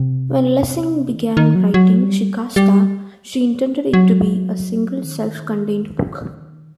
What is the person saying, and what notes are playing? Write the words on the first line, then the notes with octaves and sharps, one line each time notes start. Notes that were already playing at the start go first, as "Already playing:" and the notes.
When Lessing began writing "Shikasta" she intended it to be a "single self-contained book".
Already playing: C3
E3
D#3
D#3
F#3
F#3
G3
G3
F#3
D#3